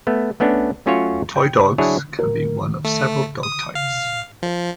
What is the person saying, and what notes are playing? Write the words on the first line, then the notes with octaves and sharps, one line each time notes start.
"Toy dogs" can be one of several dog types.
A3 B3
A3 B3 C#4 D4
F#3 A3 C#4 F4 F#4 C#5
G5
F#3 D4 E4 G#4 C#5
A#4
A3
D#6
F5
F3